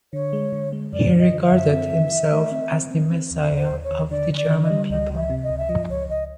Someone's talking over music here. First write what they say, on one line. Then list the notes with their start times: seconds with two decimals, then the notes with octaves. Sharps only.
He regarded himself as the Messiah of the German people.
0.13 D3 C#5
0.33 G#3
0.53 D3
0.73 G#3
0.93 F#2 D5
1.12 F3
1.19 D#5
1.32 D3
1.45 E5
1.52 F#2
1.72 C4
1.91 E3
2.12 E3
2.32 A3
2.51 C4
2.71 C4
2.91 C4
3.11 C4
3.31 D#2
3.51 D#2
3.57 C5
3.71 D#2
3.84 C#5
3.91 D#2
4.10 D3 D5
4.30 D3
4.36 D5
4.51 D3
4.63 D#5
4.70 G3
4.90 C#2 D#5
5.10 C#2
5.16 E5
5.30 C3
5.43 D#5
5.49 C#2
5.58 E5
5.69 F3 D#5
5.89 C#2 C#5
6.10 C#2 D#5